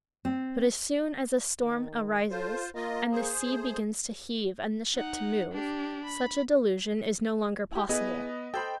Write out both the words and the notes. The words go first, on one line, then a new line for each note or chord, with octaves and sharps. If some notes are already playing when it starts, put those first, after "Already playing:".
But as soon as a storm arises and the sea begins to heave and the ship to move, such a delusion is no longer possible.
C4
D#3
F4 A4 C5
A#3 F4 D#5
G#4 C5
A3
D#4 F#5
D4 G4
B5
E4 G4
B3 E4 G#4 B4 D#5
A4 C5 G5 B5 G6